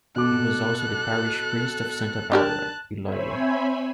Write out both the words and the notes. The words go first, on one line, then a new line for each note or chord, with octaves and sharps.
He was also the parish priest of Santa Barbara, Iloilo.
B2 A4 D6 F#6
D4 G4 A#4 A5 F#6
C4 C5 C#5 E5 G#5 B5